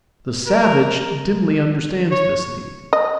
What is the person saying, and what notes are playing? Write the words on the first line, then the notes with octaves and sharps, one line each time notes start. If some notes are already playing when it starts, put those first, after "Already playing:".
The savage dimly understands this need.
A#4
C#5
D#5